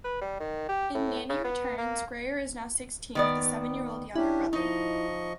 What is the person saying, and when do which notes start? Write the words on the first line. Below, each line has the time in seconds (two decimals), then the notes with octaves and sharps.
In "Nanny Returns", Grayer is now sixteen with a seven-year-old younger brother.
0.04 B4
0.21 G3
0.40 D#3
0.69 G4
0.95 A2
1.29 C#3
1.44 B3
1.78 A#3
3.15 D#3 B3 D5
4.16 C#4 D4 E4 G4
4.53 F3 D#4 D#5 C#6